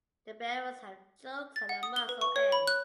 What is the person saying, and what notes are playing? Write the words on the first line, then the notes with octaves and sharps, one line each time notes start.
The barrels have chokes at the muzzle end.
A6
F#5
D#6
G7
B4
C#6
C#5
B5
F#6